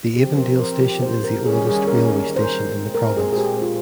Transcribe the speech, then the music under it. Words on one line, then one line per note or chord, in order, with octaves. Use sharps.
The Avondale station is the oldest railway station in the province.
F3 C4 G4
A#4
A#4
G4
C5
A#4
D#3 G3 A#3 C#4 G#4
G#4
A#4
C5
A#4
A#2 G#3 C4
A#4
G#4
G#4
G4
F4